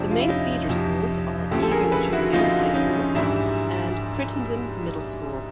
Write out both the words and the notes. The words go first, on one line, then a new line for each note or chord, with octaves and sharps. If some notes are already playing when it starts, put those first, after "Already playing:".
The main feeder schools are Egan Junior High School and Crittenden Middle School.
Already playing: F2 C3 F3 C4 D4
F4
E4
C#4 D#4
F2 C3 F3
D2 C#3 F3 G4 A4
A4
G#4 A#4
A4 B4
E4 F#4
D2 C#3 F3 D#4 F4
C#4 D#4
G#2 E3 G3 D4 E4